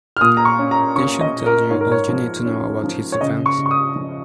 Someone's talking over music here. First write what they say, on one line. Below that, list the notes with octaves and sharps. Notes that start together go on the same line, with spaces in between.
This should tell you all you need to know about his defense.
F6
A#2 D#6
A#5
C#6
C#4
A#5
C#4 C#6
D#5
A#2
A#4
G#2 C#5
A#4
C#5
F3
C#4
F3
C#5
C#3 D#5
C#6
C#3
C#6
D#6
F3